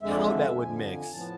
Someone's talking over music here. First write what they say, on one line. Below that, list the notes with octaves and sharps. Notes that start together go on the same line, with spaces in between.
how that would mix.
F2 D3 G#3 E5
D5
E5
F2 D3 F3 G#5
A2 F3 B3 A5